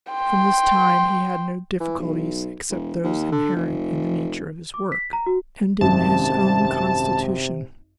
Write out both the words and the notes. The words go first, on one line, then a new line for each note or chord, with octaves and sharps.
From this time he had no difficulties except those inherent in the nature of his work, and in his own constitution.
G5 C6
E3
B1
E1
D#2
D3
F1
D6
B6
A#5
F#4
G#1 F#2 C3 A5